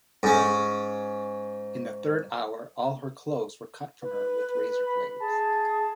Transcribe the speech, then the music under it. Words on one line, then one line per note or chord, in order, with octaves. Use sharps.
In the third hour all her clothes were cut from her with razor blades.
G#2 C#4
B4
B5
G#4 A5